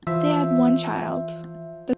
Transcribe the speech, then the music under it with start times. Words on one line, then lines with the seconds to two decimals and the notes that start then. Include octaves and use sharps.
They had one child.
0.07 E3 F3 E5